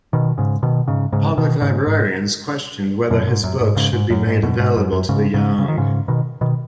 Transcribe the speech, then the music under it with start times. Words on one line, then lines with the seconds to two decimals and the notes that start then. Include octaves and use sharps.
Public librarians questioned whether his books should be made available to the young.
0.13 B2 D#3
0.38 G#2 C#3
0.63 B2 D#3
0.88 G#2 C#3
1.13 G#2 C#3
1.38 B2 D#3
1.62 G#2 C#3
1.87 G#2
3.11 F#2 B2
3.27 G#2
3.43 F#2
3.61 G#2
3.76 G#2 C#3
3.93 G#2
4.10 F#2
4.27 G#2
4.43 F#2 B2
4.60 G#2
4.76 F#2
4.92 F#2
5.09 G#2 C#3
5.34 G#2 C#3
5.59 C#3
5.68 D#3
5.78 G#2 C#3
6.08 B2 D#3
6.41 B2 D#3